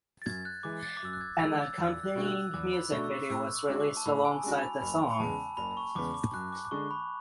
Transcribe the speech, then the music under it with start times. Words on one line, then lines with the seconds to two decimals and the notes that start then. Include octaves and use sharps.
An accompanying music video was released alongside the song.
0.22 A6
0.26 F#2 G#6
0.45 F#6
0.63 E3 G#3 D6
0.83 A6
0.97 D6
1.03 F#2 E6
1.13 F#6
1.21 G#6
1.40 E3 G#3 E6
1.59 E6
1.78 E2
1.94 E6
2.03 F#6
2.15 B2 A3 D4 F#4
2.25 F#6
2.28 E6
2.53 E2 D6
2.73 B5
2.92 B2 A3 D4 F#4 C#6
3.04 E6
3.11 D6
3.30 A2 E6
3.55 D6
3.68 G#3 D4 F#4
3.80 D6
3.97 A5
4.06 A2 B5
4.25 G#5
4.43 G#3 D4 F#4
4.62 B5
4.82 F#1 B5
5.10 B5
5.20 E2 C#3 G#3 B3 A5
5.57 F#1 B5
5.77 C#6
5.95 E2 C#3 G#3 B3 D6
6.14 D6
6.34 F#2 F#6
6.52 D6
6.65 D6
6.71 D3 G#3 C#6
6.91 B5